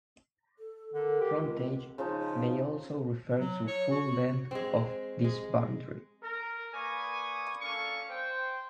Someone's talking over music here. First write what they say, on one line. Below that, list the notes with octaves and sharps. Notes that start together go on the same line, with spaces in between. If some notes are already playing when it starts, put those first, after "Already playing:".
Frontage may also refer to the full length of this boundary.
A4
D3 A#4
G4
C#2
C4
C#3 F3 D#4
F#3
C#5
F#4
G#3 C4
G#3
A#4
A#3 B4 D5 G#5 C#6 D#6
A#3 C#4 D4 A4 F5 C#6
C5 G5